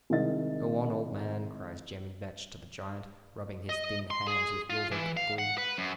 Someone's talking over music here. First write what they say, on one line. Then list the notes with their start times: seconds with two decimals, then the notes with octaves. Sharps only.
"Go on, old man!" cries Jemmy Vetch to the giant, rubbing his thin hands with eldritch glee.
0.10 C2 C3 D#3 G#3 D#5 A6
3.69 D#5
4.11 C6
4.27 G#4
4.70 F4
4.91 E3
5.17 F5
5.38 F#5
5.58 B4
5.78 F#2